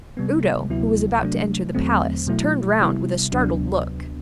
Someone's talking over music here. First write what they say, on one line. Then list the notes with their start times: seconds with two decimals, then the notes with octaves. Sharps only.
Udo, who was about to enter the Palace, turned round with a startled look.
0.17 C3 G3 B3
0.70 D2 C3 F#3 B3 E4
1.22 C3 F#3 A3 D4
1.75 E2 D3 F#3 A3 C4
2.27 B2 F#3 A3 E4
2.79 C3 G3 B3 E4
3.32 D2 C3 F#3 B3 D4